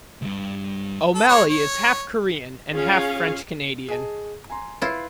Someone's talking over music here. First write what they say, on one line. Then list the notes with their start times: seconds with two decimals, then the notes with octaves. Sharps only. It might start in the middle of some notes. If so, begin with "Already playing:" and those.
O'Malley is half Korean and half French-Canadian.
0.22 C#2 G2
1.15 A4
1.28 G#3 C#5
1.50 C#5
2.73 C#4 F4 G#4 F5
3.88 G#4 D#5 A5
4.50 G#5 A#5 C6
4.82 E4 F4 B4 C7